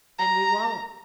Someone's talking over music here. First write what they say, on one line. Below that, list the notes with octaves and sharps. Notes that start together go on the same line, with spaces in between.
And we won't.
A#5